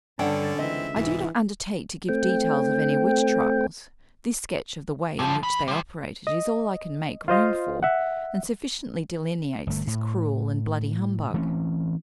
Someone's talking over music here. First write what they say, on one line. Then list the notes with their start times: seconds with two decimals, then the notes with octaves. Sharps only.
I do not undertake to give details of any witch trials; this sketch of the way in which they operated is all I can make room for, and sufficiently delineates this cruel and bloody humbug.
0.19 G2 D3 C#4 A4 D5 F#5 G5
0.59 C#2 E3 C4 D#5 E5
0.96 C2 G#2 B2 E3
2.09 A3 C4 G5
5.19 G2 F3
5.43 E3 B5
5.68 G3 C5
6.27 D#5
7.28 F4 C5 D#5 F5
7.83 E5 F#5
9.67 G1 A3
9.87 A2
11.34 E3 A3 C4 C#4